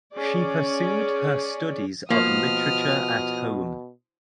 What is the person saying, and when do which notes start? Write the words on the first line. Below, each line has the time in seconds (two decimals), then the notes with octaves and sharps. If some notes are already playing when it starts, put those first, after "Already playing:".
She pursued her studies of literature at home.
0.14 C#4 G#4 D5
2.10 B2 F3 A#3 D#6 F6